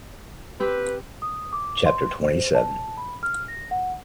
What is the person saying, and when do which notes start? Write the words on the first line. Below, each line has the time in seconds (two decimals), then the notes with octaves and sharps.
Chapter twenty seven.
0.60 C4 G4 B4
1.22 D#6
1.53 D6
1.86 C6
2.22 C5
2.55 A5
2.97 B5
3.23 F6
3.48 A#6
3.71 F#5